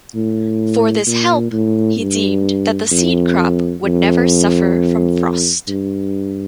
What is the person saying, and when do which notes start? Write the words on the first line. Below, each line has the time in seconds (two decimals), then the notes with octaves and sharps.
For this help he deemed that the seed crop would never suffer from frost.
0.15 A2
1.07 A#2
1.52 A2
1.99 G2
2.91 F2
3.84 F2
5.68 G2